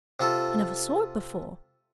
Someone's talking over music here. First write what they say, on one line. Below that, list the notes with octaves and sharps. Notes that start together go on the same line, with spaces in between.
I never saw it before.
C3 F4 A4